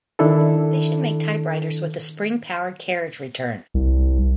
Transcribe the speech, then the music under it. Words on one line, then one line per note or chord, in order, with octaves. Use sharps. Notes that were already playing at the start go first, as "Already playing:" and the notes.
They should make typewriters with a spring-powered carriage return.
D#3 D4 E4 A4
C2